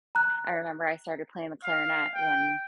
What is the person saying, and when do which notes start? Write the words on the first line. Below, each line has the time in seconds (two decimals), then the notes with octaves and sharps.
I remember I started playing the clarinet when
0.15 A#5 F#6
1.64 F5
2.14 G5